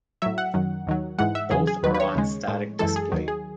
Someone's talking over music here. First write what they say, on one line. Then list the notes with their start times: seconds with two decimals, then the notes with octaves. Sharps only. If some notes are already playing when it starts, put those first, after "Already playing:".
Both are on static display.
0.22 A2 F#3 E5
0.38 F#5
0.54 F#2 D#3 F#3
0.87 D#2 D#3 F#3
1.18 G#2 E3 G#3 F#5
1.35 E5
1.50 E2 C#3 F#3 G#4
1.67 G#4
1.83 D#2 D#3 F#3 B4
1.94 B4
2.00 C#5
2.15 D#2 C#3 G#3
2.48 A2 G#3
2.79 F#2 E3 G#3 A4
2.96 G#4
3.12 D#2 D#3 F#3
3.28 G#4